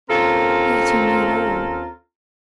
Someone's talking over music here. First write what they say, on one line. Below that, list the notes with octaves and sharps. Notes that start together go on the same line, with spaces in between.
Yet he knew all.
D#2 C4 C#4 F4 A4 A#4